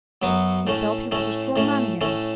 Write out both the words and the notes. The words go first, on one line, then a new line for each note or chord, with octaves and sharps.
He felt he was a strong man again.
F#2 F#3 B3
A2 A3 C#4
A2 A3 C#4
A2 A3 C#4
A2 A3 C#4